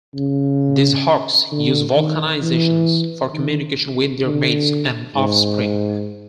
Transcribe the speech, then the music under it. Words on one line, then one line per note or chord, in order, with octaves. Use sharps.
These hawks use vocalizations for communication with their mates and offspring.
C#3
D3
D#3
E3
D#3
D3
G#2